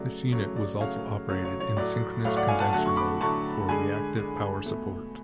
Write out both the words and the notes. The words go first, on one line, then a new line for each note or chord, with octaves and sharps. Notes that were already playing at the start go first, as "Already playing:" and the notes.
This unit was also operated in synchronous condenser mode for reactive power support.
Already playing: C#3 F#3 A3 D5
C#3 F#3 A3 C#5
D5
C#3 F#3 A3 C#5 F5
C#3 F#3 A3 C#5
C#5
C#5
A2 F#3 A3 D5
A2 F#3 A3 C#5 F5
D5 F#5
F5 G#5
F#5 A5
D3 F#3 A3 F#5 A5
C#6
B5 D6
D3 F#3 A3 A5 C#6
D3 G#3 G#5 B5
D3 G#3
B2 A3